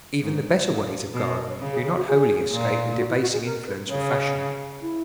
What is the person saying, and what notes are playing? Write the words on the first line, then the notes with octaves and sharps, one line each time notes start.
Even the better ways of gardening do not wholly escape the debasing influence of fashion.
G#2
A#2
B2
B4
A#4
C#5
C#3
G#4
G#4
F#4
G#4
A#2
F#4
E4
F#4
G#4
A#4
B4
C#3 C#5
E4